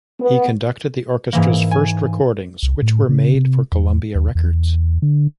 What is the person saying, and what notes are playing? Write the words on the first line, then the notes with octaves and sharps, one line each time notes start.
He conducted the orchestra's first recordings, which were made for Columbia Records.
B3
G#2 E3 A#3
G#5
C2
A2
C#3
C3
E2
D#2
E2
D3